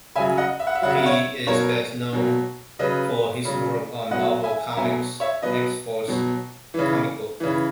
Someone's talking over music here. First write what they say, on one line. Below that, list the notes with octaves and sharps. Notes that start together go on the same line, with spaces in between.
He is best known for his work on Marvel Comics' "X-Force" comic book.
C#3 F#3 E5 G#5
D#5 F#5
E5
F#5
E5
C#3 F#3 F#5
E5
F#5
C#5 E5
B2 F#3 A#4 C#5
B2 F#3
C#3 F#3 B4 D#5
C#3 F#3
B2 F#3 D#5 F#5
E5 G#5
A#5
B2 F#3 E5 G#5
C#5 E5
B2 F#3 B4 D#5
B2 F#3
C#3 E3
C#3 E3